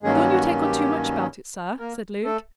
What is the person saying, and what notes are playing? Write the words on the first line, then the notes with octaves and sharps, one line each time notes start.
"Don't you take on too much bout it, sir," said Luke.
G2 D#3 F#3 G#3 A#3 C#4 G#4
F#4
G4
A#3 A#4
A3 A4